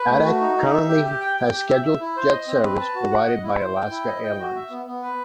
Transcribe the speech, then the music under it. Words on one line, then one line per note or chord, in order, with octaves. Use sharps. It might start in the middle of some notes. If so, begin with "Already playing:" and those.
Adak currently has scheduled jet service provided by Alaska Airlines.
Already playing: B4
A3
F#4
D#4
D#4
E5
G4
G4
G5
G5
G4
E5
E5
E4
C5
D#5
C4
B4
A5
F#4
F#5
D#5
E4
C5
G5
E4
D#5
G5
F#4
E5
B3
B3
B4